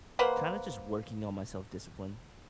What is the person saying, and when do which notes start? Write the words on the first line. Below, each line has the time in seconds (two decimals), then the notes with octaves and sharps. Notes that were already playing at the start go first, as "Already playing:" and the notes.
kinda just working on my self-discipline.
0.19 A#3 B4 C5 F#5